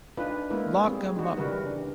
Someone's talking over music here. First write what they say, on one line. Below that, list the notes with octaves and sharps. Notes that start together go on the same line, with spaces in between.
Lock 'em up.
D4 D#4 F4 B4
G#3 A#3 B3 E4 A#4 B4
G3 C4 G#4
D#4 F#4
C#3 E3 G3 F#4 A#4 B4
E3 D4